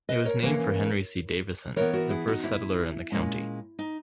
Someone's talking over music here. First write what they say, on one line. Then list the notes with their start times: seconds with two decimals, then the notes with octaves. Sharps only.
It was named for Henry C. Davison, the first settler in the county.
0.09 B4 D#5
0.25 A#4 C#5
0.42 E3 A#3 C#4
1.76 E3 B3 A#4 C#5
1.93 F#4 A#4
2.10 E4 G#4
2.27 D#4 F#4
2.44 E4
3.12 A#2 G#3 C#4
3.79 D#4